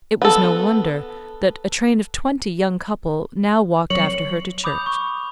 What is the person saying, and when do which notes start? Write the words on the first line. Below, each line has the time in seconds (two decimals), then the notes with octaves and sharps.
It was no wonder that a train of twenty young couple now walked after her to church.
0.22 B3 A4
3.90 F#3 C4 C#5
4.64 B5 D6 D#6 G6 F7
4.86 C#6